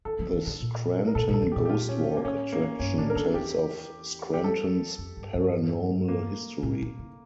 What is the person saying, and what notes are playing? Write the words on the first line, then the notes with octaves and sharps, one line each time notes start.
The Scranton Ghost Walk attraction tells of Scranton's paranormal history.
E3 A4
F3
E3
D3
A#2
A#4
A#2 A4
A#2
A4
E2
A#2 G4
G4
F4
C#4
A#3
A2 C#4
A#3
G2 C#4
A#2
A2 D4
A#4
D3 A4
E2 G4
G4
A4
F2
G2
G2
A#3
A2
A#2
C#3